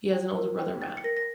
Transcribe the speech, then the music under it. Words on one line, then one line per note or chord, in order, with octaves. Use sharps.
He has an older brother, Matt.
G5
A#4
G5
G5 A6
C#7
A#4 A#6
A#6